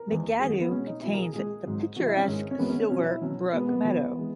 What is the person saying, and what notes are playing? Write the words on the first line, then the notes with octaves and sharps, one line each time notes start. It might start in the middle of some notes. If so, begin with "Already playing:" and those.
McAdoo contains the picturesque Silver Brook Meadow.
Already playing: A#4
E2 D#3 G#3
F#2 D#3 G#3 G#4
F#4
B3
B2 G#3 C#4
D#4
B2 F#3 E4
A#4
G#4
A#2 G#3 G#4
G#2 F#3
B2 F#3 F#4
E4
C#4
G#2 D#3 G#3
C#4
F#2 D#3 G#3 B3
C#4
C#4
B2 F#3 C#4
E4
B2 F#3 C#4
B2 G#3 B3
B3
A#2 F#3
E3 G#3